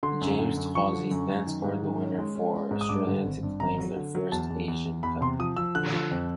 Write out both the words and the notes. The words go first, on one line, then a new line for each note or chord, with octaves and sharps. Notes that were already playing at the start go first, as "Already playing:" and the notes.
James Troisi then scored the winner for Australia to claim their first Asian Cup.
D3 C6
F#2
D3
F#2
F3 C#6
D3
F#2
F#2
D#3
G#2
D#3
C#4
G#3
C#4
G#3
G#2
D#6
G2 D6
D3
G#1
G2
G#1 A#5
F#3
D3
F#3
E2 A5
E2
E2
E2
E2 B5
C3 C6
F3 D#6
F3 E6
D3 F#6
F3
F2